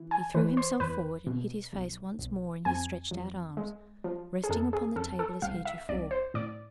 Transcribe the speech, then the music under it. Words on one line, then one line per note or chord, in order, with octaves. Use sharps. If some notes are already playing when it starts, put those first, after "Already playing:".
He threw himself forward, and hid his face once more in his stretched-out arms, resting upon the table as heretofore.
Already playing: E3
G#5
E3 B4
C5
E2 B4
B2
B1
B1
F2 G#5
F2
G#3
F3
G#4
F2 A4
G#4
F2 A4
A4
C2 F5
E5
C2 D5
C5
A2 D5